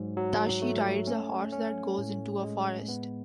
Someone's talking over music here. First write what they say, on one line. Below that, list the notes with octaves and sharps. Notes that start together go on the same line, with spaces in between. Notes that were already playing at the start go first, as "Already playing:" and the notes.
Tashi rides a horse that goes into a forest.
Already playing: G#2 F#3
F#3
A3
C#4
C#4
A2
G#3
B3